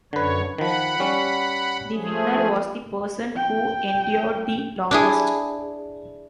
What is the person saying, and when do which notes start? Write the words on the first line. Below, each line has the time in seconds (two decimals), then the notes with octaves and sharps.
The winner was the person who endured the longest.
0.13 F#2 D3 B4 C#5
0.58 D#3 F3 F#5 B5
1.00 G3 C#4
1.94 F3 A3 G#4
3.35 G5
4.91 D4 E4 G#4